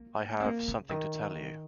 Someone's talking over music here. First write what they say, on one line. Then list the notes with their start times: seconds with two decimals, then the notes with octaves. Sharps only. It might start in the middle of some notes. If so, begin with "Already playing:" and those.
I have something to tell you.
Already playing: A#3
0.40 C4
0.45 A#3
0.68 C#3
0.89 D#3